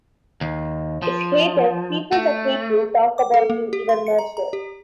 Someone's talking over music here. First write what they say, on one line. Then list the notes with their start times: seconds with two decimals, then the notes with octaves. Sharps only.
If hated, people that hate you talk about you even more so.
0.41 D#2
1.03 F3
2.12 A3
3.18 D6
3.34 A4
3.50 A#3
3.73 G4
3.89 C6
4.07 C#7
4.18 A#5
4.37 A#5
4.53 G4